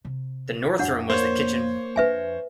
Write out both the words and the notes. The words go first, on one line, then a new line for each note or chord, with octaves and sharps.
The North room was the kitchen.
C3
F2 A2 D4 F#5
A#3 C5 C#5
F2 D4 B4 E5 G#5